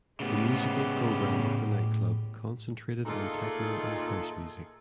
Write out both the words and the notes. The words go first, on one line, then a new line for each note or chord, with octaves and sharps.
The musical program of the nightclub concentrated on techno and house music.
A2 C#3 G#3 B3 G4
A#2 A3 D#4 F4 G#4 A4